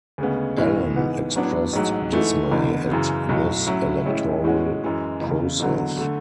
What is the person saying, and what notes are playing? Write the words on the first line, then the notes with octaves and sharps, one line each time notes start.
Alain expressed dismay at this electoral process.
D2 C#3 G#3 B3
B1 A2 E3
G#2 E3 B3
A2 F#3 B3 D4
A1 G#2 F#3
G#2 E3 A3
F#1 E2 D3
F#2 C#3 E3
B1 A2 F#3
A2 F#3 C#4 E4
A1 A2 G#3 C#4 E4
A2 G#3 C#4 F#4
F#2 E3 G#3
F#1 E2 C#3
F#1 E2 D3 F#3
D3 A3